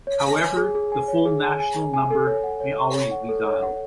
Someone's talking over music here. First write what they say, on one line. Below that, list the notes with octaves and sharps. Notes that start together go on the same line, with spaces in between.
However, the "Full National Number" "may" always be dialled.
C#5
G#5
G#5
G#4
G#4
G#5
C#5
G#4
G#5
G#5
G#4
G#5
A4
C#5
F#5
C#5
C#6
C#5
F#5
A4
C#5
F#5